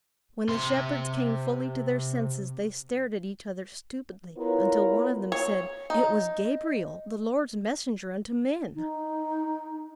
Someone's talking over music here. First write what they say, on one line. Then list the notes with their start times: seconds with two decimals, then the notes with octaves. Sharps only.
When the shepherds came fully to their senses, they stared at each other stupidly, until one of them said, "It was Gabriel, the Lord's messenger unto men."
0.48 C3 C6
4.37 B3 E4 F4 A#4 B4 C#5
5.32 C#5
5.90 D#4
8.75 D#4